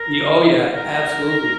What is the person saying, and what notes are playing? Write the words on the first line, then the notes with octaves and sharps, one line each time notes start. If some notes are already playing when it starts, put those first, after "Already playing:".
Y oh, yeah, absolutely,
Already playing: A#4
A#4